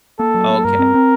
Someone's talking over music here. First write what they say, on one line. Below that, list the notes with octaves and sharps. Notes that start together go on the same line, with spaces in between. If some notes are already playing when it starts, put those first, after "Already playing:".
oh okay.
A#3 A4
F#3
A#3
G2 A#4
C4
C4